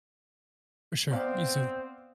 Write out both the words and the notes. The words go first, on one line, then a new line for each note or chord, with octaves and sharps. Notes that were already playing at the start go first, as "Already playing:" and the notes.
For sure, you too.
B3 C4 D5 F5